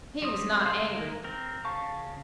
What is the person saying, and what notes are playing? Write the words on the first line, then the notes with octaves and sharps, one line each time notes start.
He was not angry.
G3 C4 D#6
C#3 G#4 A4 F5 C6
G#3 A#3 A#4
C4 A#4
C#3 F5 A5 C#6